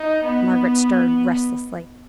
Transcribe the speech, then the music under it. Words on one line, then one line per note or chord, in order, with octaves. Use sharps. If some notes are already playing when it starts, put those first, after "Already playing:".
Margaret stirred restlessly.
Already playing: D#4
B3